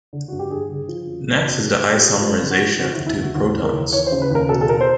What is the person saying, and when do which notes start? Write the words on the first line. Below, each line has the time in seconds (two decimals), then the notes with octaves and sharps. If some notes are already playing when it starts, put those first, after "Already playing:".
Next is the isomerization of the two protons.
0.13 D3
0.28 G2 F#4
0.39 G4
0.50 G2 G#4
0.70 D3
0.88 F3
1.07 F#2
1.26 F#2
1.45 F#2
1.65 F3 G#4
1.84 F#2
1.93 G4
2.02 F3 G#4
2.09 G4
2.21 F3 F4
2.40 D3
2.51 F#4
2.60 F3
2.79 D3 F#4
2.93 E4
2.98 D#2
3.07 E4
3.16 D#2
3.22 F#4
3.35 D#2 F#4
3.55 E3
3.64 A#4
3.74 D#2
3.92 E3 C#5
4.07 C5
4.12 C#3
4.22 B4
4.31 D#2 A#4
4.49 B2 A4
4.61 A4
4.68 B2 A#4
4.81 C5